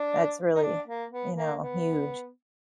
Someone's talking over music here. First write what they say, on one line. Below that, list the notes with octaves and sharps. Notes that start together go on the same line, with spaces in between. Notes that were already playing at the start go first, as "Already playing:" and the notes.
That's really, you know, huge.
Already playing: D4
D#4
D4
A#3
B3
A#3
B3